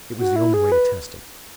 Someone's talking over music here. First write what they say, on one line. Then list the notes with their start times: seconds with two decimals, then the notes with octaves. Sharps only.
It was the only way to test him.
0.18 F#4
0.36 E4
0.54 G#4
0.72 B4